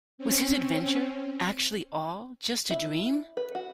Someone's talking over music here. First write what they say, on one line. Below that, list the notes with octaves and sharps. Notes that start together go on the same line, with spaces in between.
Was his adventure actually all just a dream?
C4 C#4
E4
B4
F#4